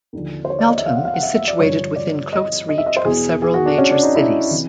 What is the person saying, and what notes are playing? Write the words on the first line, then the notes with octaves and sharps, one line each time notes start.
Meltham is situated within close reach of several major cities.
D#2 D3 F3
C5
C#5
D5
D#5
E5
F5
F#5
F5
F#5
E5
E5
D5
G2 D3 F3 C#5
D5
D#5
D#5
E5
D#5
C5
E2 B2 G#4
G#4
F#4
D4
C#4
D4
D#4
E4
C3 E3